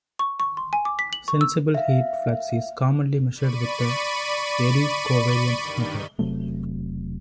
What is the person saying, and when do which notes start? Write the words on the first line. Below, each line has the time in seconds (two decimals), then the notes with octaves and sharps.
Sensible heat flux is commonly measured with the eddy covariance method.
0.19 C#6
0.40 C#6
0.57 C6
0.73 G#5
0.85 D6
0.99 B6
1.13 F#7
1.28 C#6
1.41 E6
1.75 E5 F5
3.34 D5 B5 C#6 D#7
5.59 G2 D#3
6.19 E1 C3 F#3 A3